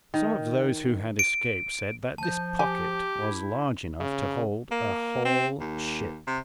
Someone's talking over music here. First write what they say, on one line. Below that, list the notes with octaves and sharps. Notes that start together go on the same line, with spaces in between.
Some of those who had escaped said that this pocket was large enough to hold a whole ship.
D#3
D7
F3 A5 G6
G4 G#5
E4
C#3
A#3
C4
D#2
C3